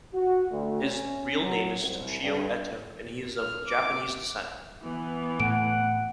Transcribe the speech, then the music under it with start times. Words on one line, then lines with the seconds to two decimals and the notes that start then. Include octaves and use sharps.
His real name is Toshio Eto, and he is of Japanese descent.
0.14 F#4
0.51 D2
0.83 C#4
1.41 F#3
1.79 C2
2.22 G2
3.37 F6
3.68 D6
4.82 E3 B3
5.40 A2 F#5 D7